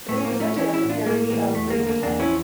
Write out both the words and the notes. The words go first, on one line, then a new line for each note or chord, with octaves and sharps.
It is presented as a parody of "Radio Times".
A2 A3
C#4
A#3
F3
A3 C#4
E3 C#4 E4
C#4 E4
A2
D4 F4
A2 A#3
E3 A#3
E2 A3
A#3
D3
A#3
E2 A#3 D4
C#4 E4
F3